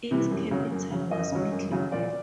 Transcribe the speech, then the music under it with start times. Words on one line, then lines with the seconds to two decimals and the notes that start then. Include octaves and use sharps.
Its capital was Middelburg.
0.11 C3 E3 G3
0.31 F#2
0.51 C#3 F#3
0.72 F#2
0.91 C#3 F#3
1.11 F#2 D#5
1.32 C#3 F#3
1.52 F#2
1.72 C#3 F#3
1.92 A#2 D5